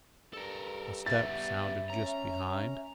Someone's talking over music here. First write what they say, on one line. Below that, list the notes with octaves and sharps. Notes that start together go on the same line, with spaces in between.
A step sounded just behind.
G2 A4 A#4
G3 B3 E5 A6
C#4 A#5